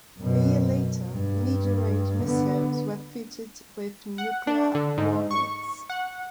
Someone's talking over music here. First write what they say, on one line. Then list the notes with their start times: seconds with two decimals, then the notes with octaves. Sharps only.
A year later, medium range missiles were fitted with nuclear warheads.
0.18 F#2 B2
1.12 G2
2.24 D3 B3
4.18 F#5
4.47 D4
4.75 D3
4.98 G#2
5.31 C#6
5.90 F#5